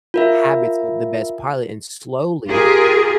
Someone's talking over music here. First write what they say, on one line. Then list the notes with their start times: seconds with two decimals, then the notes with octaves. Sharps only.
habits of the best pilot, and slowly
0.14 F4 A#4 E5
2.48 F4 G4 G#4 A#4